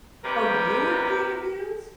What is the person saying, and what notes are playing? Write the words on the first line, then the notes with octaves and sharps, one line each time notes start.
Oh, you were being abused?
D#2 C3 G3 G4 A#4 B4